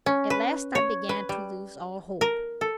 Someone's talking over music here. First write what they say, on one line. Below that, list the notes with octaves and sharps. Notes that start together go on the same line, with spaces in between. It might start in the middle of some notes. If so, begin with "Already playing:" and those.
At last I began to lose all hope.
C#4
B4
C#5
B4
G3
A#4
A4